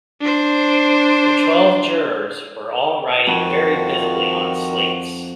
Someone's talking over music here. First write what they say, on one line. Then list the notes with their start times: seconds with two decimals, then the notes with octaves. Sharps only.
The twelve jurors were all writing very busily on slates.
0.21 D4 C5
3.27 F2 D#3 F3 F#4